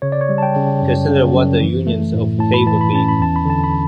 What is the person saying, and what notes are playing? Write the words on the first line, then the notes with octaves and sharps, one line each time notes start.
Consider what the units of "k" would be.
C#3 C#5
D5
C#5
G3
A5
G5
C#3
F#2
C#3
F#2
E3
A3
A2
A2 A5
B5
E3 A5
B5
C#4 A5
B5
E2 A5
B5
D3 A5
B5